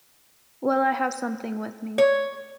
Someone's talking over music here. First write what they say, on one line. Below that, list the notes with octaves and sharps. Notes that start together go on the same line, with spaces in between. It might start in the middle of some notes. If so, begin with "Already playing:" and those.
Well I have something with me.
C#5